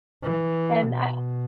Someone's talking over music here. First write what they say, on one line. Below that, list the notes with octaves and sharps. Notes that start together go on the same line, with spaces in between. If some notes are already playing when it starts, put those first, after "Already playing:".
and I
E3
B2